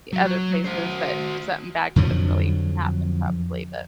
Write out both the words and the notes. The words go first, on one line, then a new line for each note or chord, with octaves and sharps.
other places that something bad could have really happened probably, but
F#3
F#4 C5
F2 D3 F3 F#3